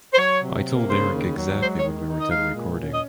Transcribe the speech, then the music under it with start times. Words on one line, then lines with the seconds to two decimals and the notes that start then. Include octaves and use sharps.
I told Eric exactly when we were done recording.
0.13 C5
0.18 F#3 C#5
0.42 C3
0.66 A#3
0.88 C#3 C5
1.12 D#2
1.35 F#3
1.59 G#3 C5
1.77 C#5
1.83 D#3
2.07 D#4
2.19 D#5
2.29 G#3 F5
2.53 A#2
2.76 C#4
2.92 D#5